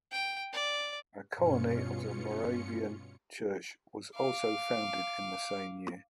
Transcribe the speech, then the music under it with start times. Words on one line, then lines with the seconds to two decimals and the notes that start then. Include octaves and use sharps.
A colony of the Moravian Church was also founded in the same year.
0.12 G5
0.53 D5
1.35 G2 B2 C#4 F4 C#7
4.15 F5 D6